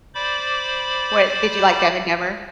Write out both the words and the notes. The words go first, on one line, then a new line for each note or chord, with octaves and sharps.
What did you like Dumb and Dumber?
C5 D5 B5 D6